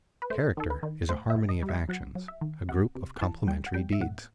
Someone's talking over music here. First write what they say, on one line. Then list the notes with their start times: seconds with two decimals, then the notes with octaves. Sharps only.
Character is a harmony of actions, a group of complementary deeds.
0.22 B4
0.30 A3 C5
0.57 D#3 A4
0.70 B4
0.83 D#3
1.09 A2 C5
1.30 E5
1.36 A2
1.49 D#5
1.63 G3
1.69 E5
1.89 F#3 F#5
2.15 F#3
2.28 E5
2.41 D#3
2.69 C3 F#5
2.95 C3
3.21 E3 A5
3.47 G3 G5
3.66 F#5
3.74 G3 G5
3.93 E5
4.00 A2 F#5